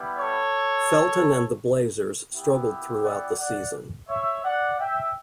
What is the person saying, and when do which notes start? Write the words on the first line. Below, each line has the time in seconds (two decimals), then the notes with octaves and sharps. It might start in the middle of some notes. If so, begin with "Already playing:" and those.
Felton and the Blazers struggled throughout the season.
Already playing: G3 B3 E4
0.19 A4 C#5
2.32 B3 E4 G4
3.02 D5 F#5
3.39 D5 F#5
4.08 C#5 E5
4.44 D5 F#5
4.79 E5 G5